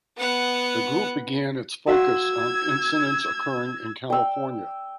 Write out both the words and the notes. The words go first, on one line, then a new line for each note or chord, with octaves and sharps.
The group began its focus on incidents occurring in California.
B3 F#5
F#4 F5 F#5 E6 G#6
G5 E6